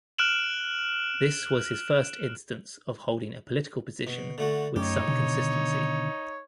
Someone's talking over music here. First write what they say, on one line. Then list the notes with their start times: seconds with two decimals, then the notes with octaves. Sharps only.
This was his first instance of holding a political position with some consistency.
0.18 F6 F#6 D7 E7 F#7
4.07 B2
4.38 D3 A3 F#4
4.76 F#2 A3 C#4 D#4 G4 C#5
5.07 B2 D3 D#3